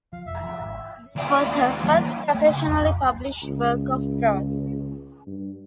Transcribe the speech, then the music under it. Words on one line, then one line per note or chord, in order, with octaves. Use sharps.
This was her first professionally published work of prose.
F3 F5
F1 E5
E3 F3
G#1
D#2 D5
A#3 C7
E3 G3 A#3
A#5 B5
A3
C#3
E2
F2
D1
C#2
G2